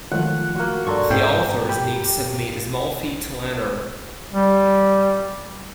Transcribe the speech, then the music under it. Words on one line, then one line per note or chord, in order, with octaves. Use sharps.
The authors need to submit a small fee to enter.
D#3 F3 F#3 G#3 A3 F4 F#5
A#3 F#4
G2 A4 D5 A#5 C6 C#6
G#2 G5
G4 B5
G3